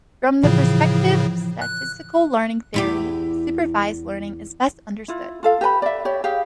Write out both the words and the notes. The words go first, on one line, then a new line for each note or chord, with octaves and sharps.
From the perspective of statistical learning theory, supervised learning is best understood.
A2 C#3 E3 F3
F#6
E2 E4 G4
E4 F4
F4 A4 F5
G4 B4 G#5 B5
D5 E5
G4 C#5
G4 G#4 F5